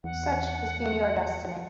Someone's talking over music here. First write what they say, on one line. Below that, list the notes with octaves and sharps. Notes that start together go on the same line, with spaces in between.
Such has been your destiny.
E2 F#5